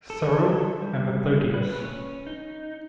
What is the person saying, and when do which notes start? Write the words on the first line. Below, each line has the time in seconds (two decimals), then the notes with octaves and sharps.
Cyril and Methodius.
0.10 A4
0.82 G3
1.54 B4
1.81 C#4
2.27 D#4